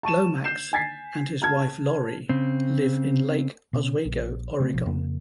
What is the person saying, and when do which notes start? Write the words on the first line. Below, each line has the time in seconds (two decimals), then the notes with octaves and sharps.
Lomax and his wife Laurie live in Lake Oswego, Oregon.
0.03 A5 C#6 D#7 E7
0.44 G6 C7 E7
0.73 G#5 G#6 A6 B6 C7
1.42 A5 F6 G#6
2.29 C#3 C4
3.73 B2 C#4
4.05 A#1
4.60 C#3 A3 B3 C4
4.73 G#1 B2 F3
4.86 F2 C#3 A#3